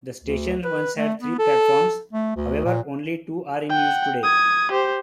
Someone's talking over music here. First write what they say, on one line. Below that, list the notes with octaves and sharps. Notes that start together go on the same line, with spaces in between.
The station once had three platforms, however only two are in use today.
D2
B4
A3
B3
A4
A3
D2
A#2
F#5 G5
D#6 G#6
G4 C5